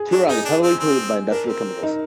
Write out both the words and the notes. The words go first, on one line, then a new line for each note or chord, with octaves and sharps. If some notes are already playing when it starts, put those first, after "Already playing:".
Turag is heavily polluted by industrial chemicals.
Already playing: G#4
D4
D#4 G#4
D4
C4
C4
D4 A#4
C4
D#4